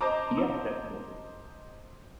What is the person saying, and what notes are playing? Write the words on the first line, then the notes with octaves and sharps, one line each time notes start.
Yeah, definitely.
C5 D#5 A5 A#5 D6